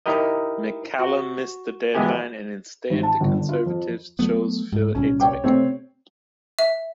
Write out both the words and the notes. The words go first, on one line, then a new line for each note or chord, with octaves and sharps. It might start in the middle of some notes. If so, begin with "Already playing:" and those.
McCallum missed the deadline and instead the Conservatives chose Phil Eidsvik.
D#4 E4 G4 A#4 D#5
F#4
E3 G#3 B3 E4 G4 G#5
G#1
A5
G1
D3
F4
F2
F#3 A3 B3
G#2
C2 A#2 C#4
C#5 G5 D6
C3 A3 C4 C#5
E5